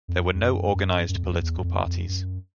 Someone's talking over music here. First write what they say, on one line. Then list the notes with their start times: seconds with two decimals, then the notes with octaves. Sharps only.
There were no organized political parties.
0.08 F2
0.35 F2
0.41 F#2
0.75 F#2
1.09 F#2
1.16 F2
1.23 E2
1.32 F2
1.42 E2
1.58 F#2
1.63 F2
1.86 F2
2.08 F#2